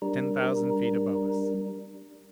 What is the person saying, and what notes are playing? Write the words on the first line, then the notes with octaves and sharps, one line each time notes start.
Ten thousand feet above us.
G3 D4 A#4